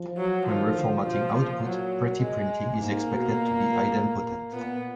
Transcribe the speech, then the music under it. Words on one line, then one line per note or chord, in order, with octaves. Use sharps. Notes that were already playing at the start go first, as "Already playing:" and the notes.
When reformatting output, pretty-printing is expected to be idempotent.
Already playing: F3
F#3
D#3 F3
D3
B2 F3
A#2 F3
F#3
G#3
G#2 A#3
B2
A#2
A#2 B3